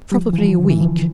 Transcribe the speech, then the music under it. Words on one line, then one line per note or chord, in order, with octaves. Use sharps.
"Probably a week."
G3
F3
E3
F3
D3
E3
F3